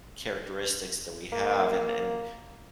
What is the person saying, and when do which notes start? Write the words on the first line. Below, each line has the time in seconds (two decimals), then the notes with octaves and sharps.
characteristics that we have, and and
1.32 A#3